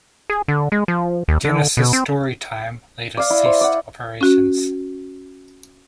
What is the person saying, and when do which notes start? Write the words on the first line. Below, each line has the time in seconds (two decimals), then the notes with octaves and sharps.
Genesis Storytime later ceased operations.
0.30 G#4
0.48 D3
0.72 G#3
0.88 F3
1.28 D#2
1.45 D3
1.77 B2
1.93 C4
3.17 D5 F5
3.30 E4
3.46 C5
3.61 D5 F#5
4.21 C#4 F#4